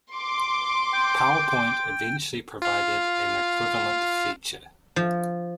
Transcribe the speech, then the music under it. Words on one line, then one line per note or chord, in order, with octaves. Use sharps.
PowerPoint eventually provided an equivalent feature.
C6 D6
G5
F4 F5
F3